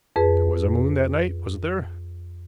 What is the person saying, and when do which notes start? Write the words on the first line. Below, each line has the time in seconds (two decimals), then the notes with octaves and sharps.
"There was a moon that night, wasn't there?"
0.16 F2 G#4 B4